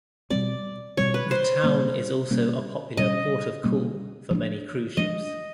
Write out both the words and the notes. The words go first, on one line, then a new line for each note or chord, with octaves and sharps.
The town is also a popular port of call for many cruise ships.
B2 G3 C4 D5
B2 G3 C4 C#5
B4
C5
B2 G3 A#3 C#4
B2 G3 A#3 C#4
B2 G3 A#3 C#4 D#5
B2 G3 A#3 C#4
F3 G#3 B3 D4
F3 G#3 B3 D4 D#5